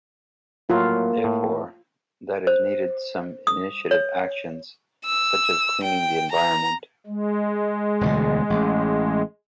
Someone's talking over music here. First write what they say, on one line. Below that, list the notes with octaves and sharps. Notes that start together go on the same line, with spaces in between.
Therefore, that is needed some initiative actions such as cleaning the environment.
A2 F#3 A#3 F4
A2
C5
D#6
C#5
E6
G5
A#5
G#3
E1 D2 B2
A1